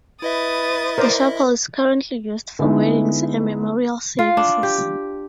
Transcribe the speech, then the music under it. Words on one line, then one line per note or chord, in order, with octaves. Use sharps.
The chapel is currently used for weddings and memorial services.
E4 B4 D#5 E5 D#6 A6
A#4 C5 D5
D3 G#3 B3 D#4 E4
F4
D4
G4